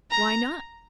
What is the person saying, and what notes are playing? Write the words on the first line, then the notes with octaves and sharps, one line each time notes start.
Why not?
A#5